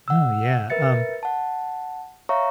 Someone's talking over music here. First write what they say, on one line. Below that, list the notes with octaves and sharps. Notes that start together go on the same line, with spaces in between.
No. Yeah, um,
F#5 E6
A#4 B4 E5 A6 C#7
F#5 A5
C#5 E5 F5 A#5 C#6